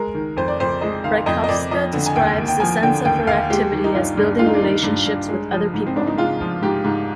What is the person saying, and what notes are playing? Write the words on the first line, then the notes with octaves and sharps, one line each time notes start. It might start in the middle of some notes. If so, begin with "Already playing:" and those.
Rajkowska describes the sense of her activity as building relationships with other people.
Already playing: G#3 A#4
D#3
F2 C5
D5
F2 C5
G#3 D#5
D#3 F5
F2 D#5
D#5
F2 D5
F3 D#5
D3
G#5
D#2 G5
D#2
G5
F3 G#5
D3 G5
D#2 G5
D#2 F5
G#3 G4
D#3
D#4
G2 F4
G2
G#3 F4
D#4
D4
D#3 D#4
G2
G2
G#3
F3
G#2
C4
G#2 D4
D#4
G#3 F4
F3
G#2 G4
G#2